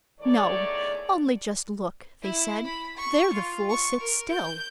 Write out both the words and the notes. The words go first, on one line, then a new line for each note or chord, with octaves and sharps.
"No! only just look," they said; "there the fool sits still."
E2 D#3 A3 C#5 D5
E4
B5
C#6
F4
C#6
A#4
G6